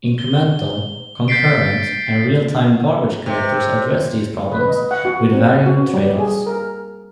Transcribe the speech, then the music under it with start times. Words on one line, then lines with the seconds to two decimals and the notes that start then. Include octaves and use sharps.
Incremental, concurrent, and real-time garbage collectors address these problems, with varying trade-offs.
0.19 G7
1.28 G6 A6 B6 C7 D7
3.26 C3
4.52 B4
4.68 D#5
4.91 F#5
5.05 F#4
5.31 C4
5.66 F#4
5.94 G3
6.19 G#4
6.46 A#4